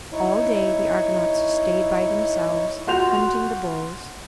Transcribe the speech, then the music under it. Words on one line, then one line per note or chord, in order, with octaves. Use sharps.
All day the Argonauts stayed by themselves, hunting the bulls.
D#4 E4 C#5
F4 F#4 C6 G6 F7